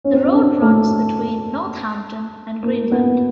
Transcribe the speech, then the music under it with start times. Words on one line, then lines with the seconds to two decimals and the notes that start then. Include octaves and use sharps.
The road runs between North Hampton and Greenland.
0.04 C#4
0.13 C4
0.23 C#4
0.33 D4
0.62 A3
2.63 A#3
2.92 B3